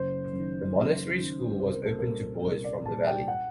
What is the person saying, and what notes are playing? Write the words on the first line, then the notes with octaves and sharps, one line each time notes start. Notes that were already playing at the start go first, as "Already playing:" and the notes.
The monastery school was open to boys from the valley.
Already playing: F#1 C5
F#2 D#3
F#1
F#2 D#3
C2 C5
A#4
A4
A#2 G3 A#4
C2 A#4
D5
A#2 G3 A5
G5
F#5